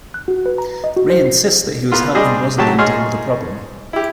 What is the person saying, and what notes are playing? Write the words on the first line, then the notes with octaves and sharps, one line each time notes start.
Ray insists that he was helping Rosalyn deal with a problem.
F#6
F#4
B4
A#5
D#5
F#4
C5
C7
A#3 B3 F4
G3 C4 D4 G#4 D#5
C3 F#3 G4 C#5 A5 A#5
G#2 D#4 G#4 C#5 C6 F6
E4 G4